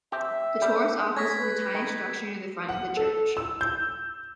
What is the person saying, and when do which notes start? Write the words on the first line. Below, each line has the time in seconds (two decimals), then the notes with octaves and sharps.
The tourist office is a tiny structure near the front of the church.
0.12 C4 G4 E5
0.62 G3 G6
1.17 C#4 G#6 A#6 B6
1.37 B4
1.74 D#3
2.69 F#5
2.97 A4
3.37 E6
3.61 G6